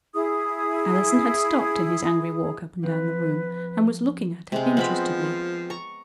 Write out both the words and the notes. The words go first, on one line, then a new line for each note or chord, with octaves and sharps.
Allison had stopped in his angry walk up and down the room, and was looking at her interestedly.
E4 G#4 D#6
F3 C4 B4
C3 G#3
F3 B3 C4 B5
A#5 C#6